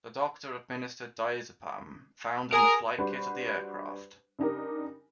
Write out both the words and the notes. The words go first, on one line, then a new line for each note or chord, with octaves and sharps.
A doctor administered diazepam found in the flight kit of the aircraft.
G#4 A#4 G#5 A#5 D#6
G3 D4 F#4 B4 C5
C#3 D4 D#4 G4 A#4